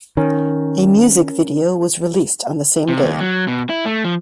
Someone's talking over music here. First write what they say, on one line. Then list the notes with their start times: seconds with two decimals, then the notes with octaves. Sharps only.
A music video was released on the same day.
0.17 D#3 C#4 A#4
2.89 C3
3.02 D#2
3.20 F#3
3.48 B2
3.69 E4
3.86 A3
4.04 F3